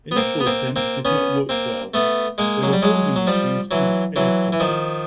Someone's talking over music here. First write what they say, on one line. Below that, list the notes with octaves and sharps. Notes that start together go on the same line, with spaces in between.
Initial attempts did not work well: there were bonding issues and air pockets.
B3
A#3 C4
B3
A#3 C4
A#3 C4
B3 C#4
A#3 C4
A3 B3
G#3 A#3
F#3
G3
F#3 G#3
F#3
F3 G3
E3 F#3
E3 F#3
E3
D#3 F3